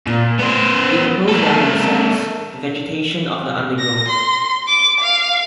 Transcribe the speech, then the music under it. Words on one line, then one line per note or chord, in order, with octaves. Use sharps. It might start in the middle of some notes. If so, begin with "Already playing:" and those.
He proposed them in the sense "Vegetation of the undergrowth".
A#2
B3 C5
A#3 A4
A#6
C6
D6
F5